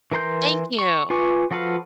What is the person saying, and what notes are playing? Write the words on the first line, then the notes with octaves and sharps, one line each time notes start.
Thank you.
E3 A#4 A#5 C6 G6
C#6
F4 B4 G#5 C#6 D6
F3 F#4 A4 B4 F5